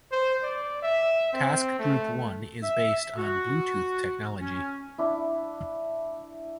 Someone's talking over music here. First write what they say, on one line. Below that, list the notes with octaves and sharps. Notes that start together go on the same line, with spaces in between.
Task group one is based on Bluetooth technology.
C5
D5
E5
C4
A3
E5
F#4
C#4
D4 E4